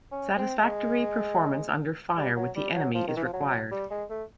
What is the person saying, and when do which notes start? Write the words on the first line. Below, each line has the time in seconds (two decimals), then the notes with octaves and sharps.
Satisfactory performance under fire with the enemy is required.
0.12 C#4
0.38 C4
0.63 G#3
2.18 G3
2.37 F#3
2.56 G3
2.75 F#3
2.95 F3
3.08 D#3
3.17 E3
3.25 F3
3.33 F#3
3.71 G3
3.91 G#3
4.10 A3